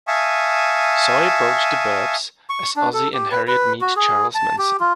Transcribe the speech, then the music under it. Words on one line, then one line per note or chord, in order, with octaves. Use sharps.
So I approached "The 'Burbs" as "Ozzie and Harriet Meet Charles Manson".
E5 F5 G#5 A5 C#6 D#6
C#6
D4
A4
G4
B4
B4
F#4
G#4
A5
G4
F4